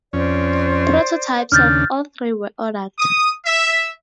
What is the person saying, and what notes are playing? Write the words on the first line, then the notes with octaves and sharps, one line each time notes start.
Prototypes of all three were ordered.
F2 C#4 C5 D5
D#2 C#3 D4 F6 G6 A6
D#6
E5